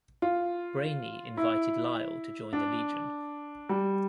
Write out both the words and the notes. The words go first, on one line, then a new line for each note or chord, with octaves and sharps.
Brainy invited Lyle to join the Legion.
F4
E4
D4
G3